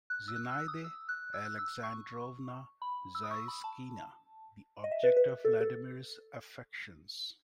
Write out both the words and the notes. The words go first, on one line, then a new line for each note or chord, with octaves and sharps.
Zinaida Alexandrovna Zasyekina - The object of Vladimir's affections.
F#6
E6
F#6
E6
D#6
E6
F#6
E6
F#6
E6
C#6
B5
E6
D#6
C#6
B5
A5
D#5
E5
B4
B4
B4
A4
A4